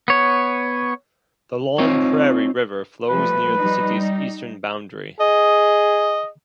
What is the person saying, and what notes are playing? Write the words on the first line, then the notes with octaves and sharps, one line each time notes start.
The Long Prairie River flows near the city's eastern boundary.
B3 C#5
C4 D#4 F4 C#5
F3 G3 A3 B4
G3 D#4
G#4 D#5